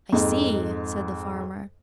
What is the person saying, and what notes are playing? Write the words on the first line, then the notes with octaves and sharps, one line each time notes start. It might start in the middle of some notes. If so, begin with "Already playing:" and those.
"I see," said the farmer.
F2 G#2 D#4